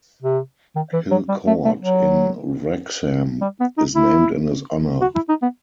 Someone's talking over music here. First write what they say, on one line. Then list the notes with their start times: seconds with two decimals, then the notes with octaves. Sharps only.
Hill Court in Wrexham is named in his honour.
0.22 C3
0.75 D#3
0.93 E3
1.11 F#3
1.28 G3
1.47 A3
1.65 A3
1.82 F#3
3.41 G3
3.60 B3
3.77 D#4
3.95 E4
5.01 F#4
5.15 E4
5.29 D#4
5.42 B3